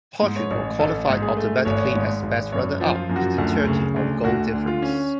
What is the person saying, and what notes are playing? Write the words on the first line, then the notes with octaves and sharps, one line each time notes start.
Portugal qualified automatically as best runner-up, beating Turkey on goal difference.
G#2
C#5
A1
A1 A4
G#2
G#4
A3
G#1 C#5
G#2
G#1
F#2 C#5
F3
F4
F#2
F#4
D2
C#3
D2
D2 F#4
D3
F4
C#4